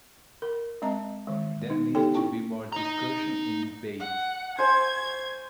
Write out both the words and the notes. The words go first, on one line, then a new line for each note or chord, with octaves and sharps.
There needs to be more discussion and debate.
A#4
G#3 C4 D#5 A#5
D#3 E3 G#3
D#4
B3 D#4 G4 A4 C#5 G5
C#4 E4 G5 C#6
D#4 A#5
F#5
C5 G#5 C#6 G#6